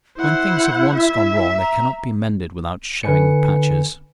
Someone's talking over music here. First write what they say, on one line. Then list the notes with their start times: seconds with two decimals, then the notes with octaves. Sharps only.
When things have once gone wrong they cannot be mended without showing the patches.
0.17 E4 C5 F#5
0.96 E5
1.59 A#5
3.03 D3 B4 G#5 C#7